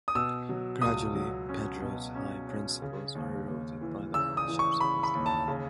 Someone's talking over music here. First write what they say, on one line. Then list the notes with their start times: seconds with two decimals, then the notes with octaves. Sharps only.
Gradually, Pedro's high principles are eroded by the hardships of his life.
0.08 D#6
0.15 B2 E6
0.49 F#3
0.82 C#2 D#6
1.15 F#3
1.49 C#4
1.82 B2
2.15 C#4
2.49 C#4
2.82 C#3
3.15 D#2
3.48 D#2
3.81 E3
4.14 C#3 E6
4.37 D#6
4.48 E3
4.59 C#6
4.80 C#3 B5
5.03 B5
5.15 D#2
5.26 A5
5.48 C#3